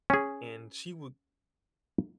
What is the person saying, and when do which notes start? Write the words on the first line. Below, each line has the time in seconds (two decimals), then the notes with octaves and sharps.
and she would
0.10 C#4 G#4